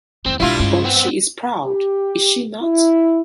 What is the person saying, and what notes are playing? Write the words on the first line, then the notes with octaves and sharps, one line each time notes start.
But she is proud, is she not?
E2 D#3 C4
B1 G3 G#3 D4 E4 F4
G2 C#3 G#3
B3 C4
G4
E4